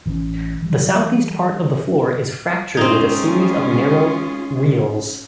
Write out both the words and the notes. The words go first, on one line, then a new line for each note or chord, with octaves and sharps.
The southeast part of the floor is fractured with a series of narrow rilles.
A1 E3 F#3 C#4
E3 F#3 G3
G#3 C4 C#4 D#4 F4 G#4